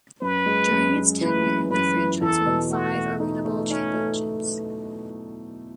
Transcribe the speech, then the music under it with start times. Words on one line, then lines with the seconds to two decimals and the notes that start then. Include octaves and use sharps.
During its tenure the franchise won five ArenaBowl championships.
0.21 F#2 B4
0.46 G#3
0.71 F#2
0.97 G#3
1.21 E3 B4
1.47 F#2
1.70 F#2 B4
1.96 E3
2.21 E2 A4
2.46 B2
2.70 A3 F#4
2.95 A3
3.20 D#4
3.45 A3
3.70 C#4 D#4
3.94 A3